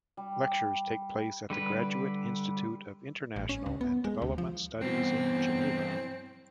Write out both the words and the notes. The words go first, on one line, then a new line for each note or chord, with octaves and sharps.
Lectures take place at the Graduate Institute of International and Development Studies, in Geneva.
G3
D3 G3 B4
A1
C#4
C#2
B3
G#3
D2
F3
G2 E3 B3 C4